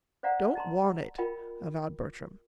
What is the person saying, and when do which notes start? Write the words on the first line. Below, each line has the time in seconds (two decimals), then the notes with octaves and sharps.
"Don't want it," avowed Bertram.
0.23 C5 D5 F5 F#5 A#5
0.55 D#5 A5 A#5 C6
1.18 F4 A#4 D#5 G5 B5